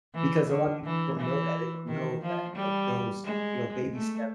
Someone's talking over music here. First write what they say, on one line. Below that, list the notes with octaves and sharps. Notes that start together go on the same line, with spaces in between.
because a lot of people don't know that, they don't know that, like, those, you know, baby steps
E3
D3
E3
E3
D#3
F3
G3
G#3
A3